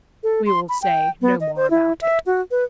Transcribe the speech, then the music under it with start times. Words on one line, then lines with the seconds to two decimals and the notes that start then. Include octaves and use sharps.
We will say no more about it.
0.24 A4
0.46 C6
0.69 B5
0.82 G5
1.22 B3
1.41 D#5
1.56 C5
1.70 E4
2.01 E5
2.26 F#4
2.51 B4